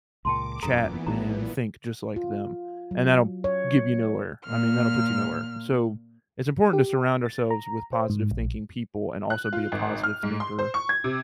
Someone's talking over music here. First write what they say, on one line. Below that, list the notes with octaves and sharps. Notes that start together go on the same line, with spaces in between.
chat and think just like them, and that'll give you nowhere I mean, that'll put you nowhere, so it's important to surround ourselves with positive-thinking people and also be a positive thinker
C#2 A#2 A#3 G5 A5 C6 D6
E1 F#2 A#2 E3 B3 A4 A#5
A#1 A2 G3 D4 D#4 A#5
F4
F#3
C#5
A#2 F6
G4
A6
A#5
C5
G#2
A#1
F#6
F4
G#1
F6
G#2
C6
C5
C#6
G#6
C3